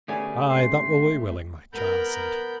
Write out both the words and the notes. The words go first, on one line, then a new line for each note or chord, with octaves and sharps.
"Aye, that will we willingly," Giles said.
D2 A3 B3 C#4 G4 G#4 D5 G#5
G#2 C3 C#4 C6
B3 A#4 B5 G6